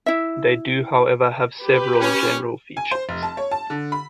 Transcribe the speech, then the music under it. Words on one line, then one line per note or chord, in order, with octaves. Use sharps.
They do however have several general features.
E4 E5
G4 B4
C#4
G#5
C5
F1
A5
C#5
A5
D3
B5